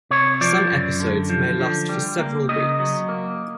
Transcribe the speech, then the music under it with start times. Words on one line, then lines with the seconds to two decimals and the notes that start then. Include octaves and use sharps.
Some episodes may last for several weeks.
0.11 C3 C#5
0.41 F3 D5
0.71 F#2
1.00 D3
1.29 F3
1.60 D3
1.89 G3
2.19 A#3
2.49 C#3 D#5
2.80 F#3
3.09 A#3